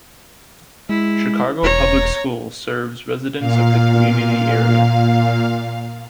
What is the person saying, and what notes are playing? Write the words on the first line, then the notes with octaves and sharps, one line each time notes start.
Chicago Public Schools serves residents of the community area.
G#3 E4
E1 C#5 A#5
A#2 F5